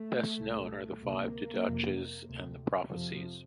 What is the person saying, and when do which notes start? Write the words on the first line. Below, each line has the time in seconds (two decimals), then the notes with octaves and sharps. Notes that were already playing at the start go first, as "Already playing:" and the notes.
Best known are the five "Didaches" and the "Prophecies".
Already playing: A3
0.37 C2 A#2
1.00 D2 C3 A#3
1.63 F2 C3
2.27 D2 C3
2.91 F2 C3 F3